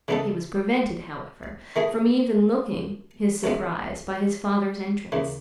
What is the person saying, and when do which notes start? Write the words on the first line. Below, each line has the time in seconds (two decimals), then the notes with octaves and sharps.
He was prevented, however, from even looking his surprise by his father's entrance.
0.08 C#3 E3 B3 D#4 A4
1.76 D#3 A3 E4 G#4
3.44 F#2 E3 G#3 B3
5.12 D#2 C#3 E3